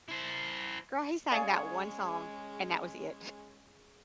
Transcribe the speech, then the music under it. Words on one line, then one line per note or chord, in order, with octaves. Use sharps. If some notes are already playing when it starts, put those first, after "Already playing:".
Girl, he sang that one song, and that was it.
E4 C5
G#3 C#4 G#4 C#5 D5 F5 G#5